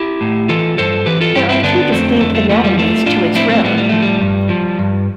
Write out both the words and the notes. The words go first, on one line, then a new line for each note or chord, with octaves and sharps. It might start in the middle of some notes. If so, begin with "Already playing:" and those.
There are two distinct anatomies to its rim.
Already playing: E4 G4
A2
E3 F4 A4
G2 A4 C5
E3 G4 B4
F4 A4
G2 E4 G4
C4 E4
D3 B3 D4
F2 A3 C4
F2 A3
A3
F3 A3
G3
F3 A3
A2 D4 F4
F3 C4 E4
A3 C4
A2 G3 B3
G3
F3 A3
G3
G2
F3
G2